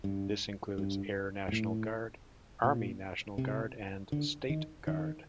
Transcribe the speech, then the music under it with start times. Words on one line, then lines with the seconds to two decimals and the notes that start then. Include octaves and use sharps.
This includes Air National Guard, Army National Guard, and State Guard.
0.04 G2
0.78 G2
1.48 G2
1.52 A2
2.64 A#2
3.38 C3
4.12 D3
4.50 D#3
4.87 D#3